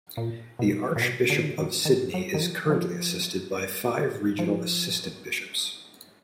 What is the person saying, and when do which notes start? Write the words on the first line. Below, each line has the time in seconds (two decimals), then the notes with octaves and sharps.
The Archbishop of Sydney is currently assisted by five regional assistant bishops.
0.17 A#2
0.59 B2
0.96 A#2
1.02 B2
1.30 D3
1.38 D#3
1.46 D3
1.58 D#3
1.85 D#3
2.14 F#3
2.34 D#3
2.42 F3
2.70 F3
4.39 F3